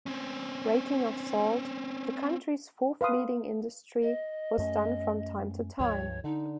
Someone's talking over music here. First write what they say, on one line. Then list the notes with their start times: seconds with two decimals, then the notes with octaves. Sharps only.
Raking of salt, the country's fourth-leading industry, was done from time to time.
0.06 C4 C#4
3.01 B4 F5 C6 D#6
4.02 D#5
4.58 F#2 A3 C#4
5.79 C#2 G2 F3 C#5
6.24 D3 D#4